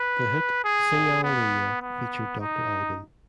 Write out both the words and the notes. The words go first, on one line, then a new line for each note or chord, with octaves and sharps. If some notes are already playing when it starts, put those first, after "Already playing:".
The hit "Sing Hallelujah" featured Doctor Alban.
Already playing: B4
G#4
B3
B3
D#4